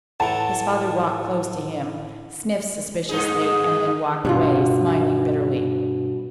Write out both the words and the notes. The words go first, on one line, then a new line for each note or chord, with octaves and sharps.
His father walked close to him, sniffed suspiciously, and then walked away, smiling bitterly.
A2 E3 F#5 A5
G2 D#4 G#4
G2 B2 F4